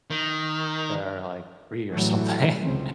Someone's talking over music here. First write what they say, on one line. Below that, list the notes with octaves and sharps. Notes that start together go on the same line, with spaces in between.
that are, like, free or something,
D#3
A2 E3 F#3 G3 A3
F1 C#2 C#3 C4